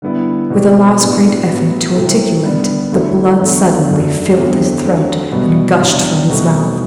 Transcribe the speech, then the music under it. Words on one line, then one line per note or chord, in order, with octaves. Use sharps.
With a last great effort to articulate, the blood suddenly filled his throat and gushed from his mouth!
D3 G3 B3 E4
B2 G3 C4 G4
A2 F#3 B3 D4 G4
A2 F#3 B3
C2 C3 E3 A3 C4
D3 G3 B3
D2 D3 F#3 A3 E4
E2 D3 A3
F#2 F#3 A3 D4
E2 D3 A3 C4 G4
D3 F#3 A3 C4
C2 B2 G3 B3
E2 C3 G3 D4
C2 B2 F#3 A3 C4